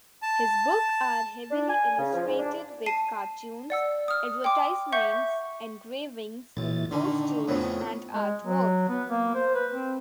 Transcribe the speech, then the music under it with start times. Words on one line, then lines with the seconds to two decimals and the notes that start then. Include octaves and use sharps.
His book are heavily illustrated with cartoons, advertisements, engravings, posters and artwork.
0.23 A5
1.51 D4
1.69 G#5
1.98 C#3
2.13 F3
2.26 G#2
2.39 D4
2.86 A5 C7 D#7
3.70 D5 F#5 E6
4.08 D#6 F6
4.44 G5 C6 D6
4.92 E5 F#5 C#6 G6
6.57 B1 A#2 E3 A6
6.91 D3 D#3 D4
7.48 F2 A2 C#3 B3
8.14 G#3
8.44 F#3
8.89 B3
9.08 A#3
9.35 C5
9.55 B4
9.71 C4